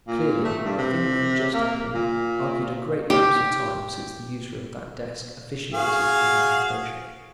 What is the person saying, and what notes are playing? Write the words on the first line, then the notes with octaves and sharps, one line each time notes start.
Clearly, the thing that had just happened argued a great lapse of time since the user of that desk officiated in that enclosure.
A#2
A3
G2
C3
A#3
A#2
G4
F#4 G#4 F5